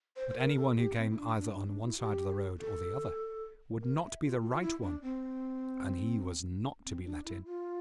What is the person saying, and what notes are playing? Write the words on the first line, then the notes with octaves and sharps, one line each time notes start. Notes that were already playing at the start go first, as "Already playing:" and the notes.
But any one who came either on one side of the road or the other would not be the right one, and he was not to be let in.
C5
C5
A#4
A4
G4
C4
E4
D4
D4
D4
C4
D4
E4
G4
A4
A#4
E5
F4
F4
F4
E4
D4
C4
C4
D4
E4
F4